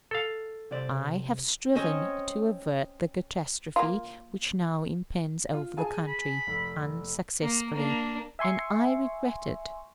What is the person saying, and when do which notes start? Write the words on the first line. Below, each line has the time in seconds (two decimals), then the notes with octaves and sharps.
I have striven to avert the catastrophe which now impends over the country, unsuccessfully; and I regret it.
0.11 A4 F5
0.71 C3 C5 D5
1.75 C4 C#4 C#5 D#5
3.76 A#3 F4
5.53 F4
5.77 G#4 G#5 A5
6.08 B5
6.47 F1
7.42 A#3
7.75 A#3 D4
8.39 E5 G#5 C6 C#6